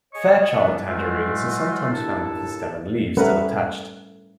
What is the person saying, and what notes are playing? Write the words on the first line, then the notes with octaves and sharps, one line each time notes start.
Fairchild tangerines are sometimes found with the stem and leaves still attached.
G#4 C#5 D#5 C#6 D#6
E3 F3 G3 B3 D4
E3 F#3 G#3 A3 F4 F#4
D#2 D4 E4 A4 A5
G3 A3 C#4 A#4 B4 F#5